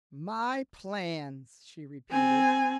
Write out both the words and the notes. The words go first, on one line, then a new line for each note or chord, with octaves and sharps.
"My plans," she repeated.
C4 G#5